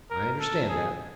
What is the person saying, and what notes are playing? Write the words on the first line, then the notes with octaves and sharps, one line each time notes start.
"I understand that."
A#4
A4
G#4